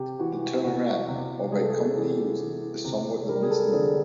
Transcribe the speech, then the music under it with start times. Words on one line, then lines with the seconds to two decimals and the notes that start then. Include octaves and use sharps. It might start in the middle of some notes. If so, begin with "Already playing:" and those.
The term ram, albeit commonly used, is somewhat a misnomer.
Already playing: C3 G4
0.19 E3 F#4
0.63 C3 F#4
1.08 C3
1.52 G#3 G#4
1.61 A4
1.69 G#4
1.97 E3
2.41 E3
2.84 C3
3.29 G3 A#4
3.43 G#4
3.51 A4
3.73 D3 G#4